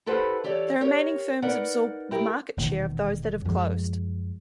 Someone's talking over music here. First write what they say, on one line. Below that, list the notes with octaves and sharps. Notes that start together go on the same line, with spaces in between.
The remaining firms absorb the market share of those that have closed.
E4 G4 A4 B4 C5 F#5
E3 G4 A4 C#5 D5
G4 A#4 C#5
D#4 A#4 B4 D5 F#5
E4 G4 A#4
E1 A#2 D#3
F#2 F3 G#3